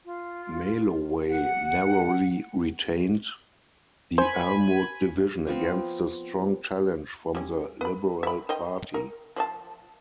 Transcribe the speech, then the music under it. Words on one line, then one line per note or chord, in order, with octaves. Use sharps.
Maloway narrowly retained the Elmwood division against a strong challenge from the Liberal Party.
F4
F#5
C5 G#5 B5
F3 B3 C4
G3 C#4
B4 B5
E5 B5
C5 D#5 G5
A#4
F3 D5 A5